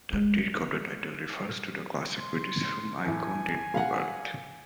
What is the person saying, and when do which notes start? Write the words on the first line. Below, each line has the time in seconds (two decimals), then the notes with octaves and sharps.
The "Dirk" of the title refers to classic British film icon Dirk Bogarde.
0.13 G#3
2.19 C6
3.05 E2 A2 G#5
3.75 F5 F#5